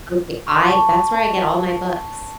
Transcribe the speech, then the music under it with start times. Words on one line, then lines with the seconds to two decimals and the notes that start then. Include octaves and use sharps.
Okay. I That's where I get all my books.
0.47 C#6
0.59 D6
0.71 A5 C#6